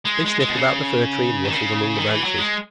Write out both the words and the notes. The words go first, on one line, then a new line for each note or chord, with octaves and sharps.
They snuffed about the Fir Tree, and rustled among the branches.
G#3
G#3
G#3
B2
C#3
D#3
C#3
D#3
E3
F#3
G#3